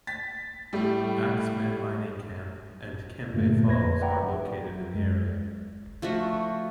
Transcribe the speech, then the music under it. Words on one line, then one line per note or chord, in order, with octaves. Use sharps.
Axmin Mining Camp and Kembe Falls are located in the area.
A6 B6
A2 G3
G2 A#2 D3 A3 A#3
F2 B4 G#6 A#6
B4 D5 E5 F#5 G5 A#5
F#3
F#2 G#3
F3 A3 D4 F#4